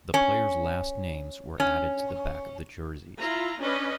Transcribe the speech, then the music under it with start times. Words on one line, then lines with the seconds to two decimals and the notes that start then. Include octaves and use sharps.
The players' last names were added to the back of the jerseys.
0.14 C#4
1.60 C#4
3.17 E4 F4 A#5
3.60 C#4 D4 B4 D#5